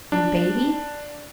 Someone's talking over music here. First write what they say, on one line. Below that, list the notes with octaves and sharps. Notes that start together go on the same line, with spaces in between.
And the baby?'
D4